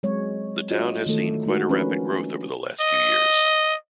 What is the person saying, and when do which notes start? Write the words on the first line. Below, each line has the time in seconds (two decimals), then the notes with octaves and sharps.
The town has seen quite a rapid growth over the last few years.
0.03 F#3 G#3 C4 C#5
0.70 D4 F4 F#4 C#5 D#5
1.06 D#3 E3 A3 A4
1.46 G#3 D#4 F#4
1.69 F3 C#4 D4 F4 A#4 B4
2.80 D#5